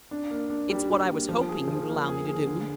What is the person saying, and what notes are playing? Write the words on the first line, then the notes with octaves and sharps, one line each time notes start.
It's what I was hoping you'd allow me to do.
D4
A#3
D4
G3
G3
A#3
F3
G#4
F3
A#3
G#4
G#4
D3